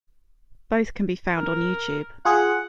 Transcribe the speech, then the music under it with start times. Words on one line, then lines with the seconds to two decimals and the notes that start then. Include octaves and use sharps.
Both can be found on YouTube.
1.36 A#4
2.25 F4 G#4 F#5